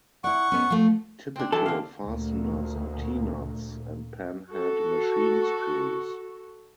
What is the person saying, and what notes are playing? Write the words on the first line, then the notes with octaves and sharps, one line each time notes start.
Typical fasteners are T-nuts and pan-head machine screws.
E4 D5 F#5 C#6
G#2 B3 C#4
F3 A3
C4 D4
E3 F#3 C4 A4
D3 F5
D2 A#2
F#4 A4